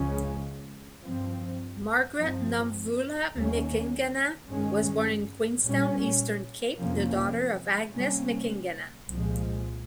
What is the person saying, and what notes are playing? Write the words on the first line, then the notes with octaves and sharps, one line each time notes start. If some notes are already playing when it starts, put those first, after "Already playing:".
Margaret Nomvula M'cingana was born in Queenstown, Eastern Cape, the daughter of Agnes M'cingana.
Already playing: C#2 C#3 F3 G#3 C#4
G2 F3 C4
G2 F3 C4
D#2 D#3 G3 A#3 C#4
G2 D#3 G#3 C#4
A#2 G3 C#4
F2 C3 F3 A#3 C#4
C3 G3 A#3 C#4
C2 A#2 F3 G#3